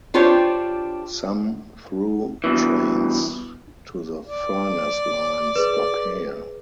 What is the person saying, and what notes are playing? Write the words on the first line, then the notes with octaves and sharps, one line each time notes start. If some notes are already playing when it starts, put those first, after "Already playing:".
Some through trains to the Furness Line stop here.
D4 F4 G4 C5 C#5
G2 B2 E3
D5
G#4 B4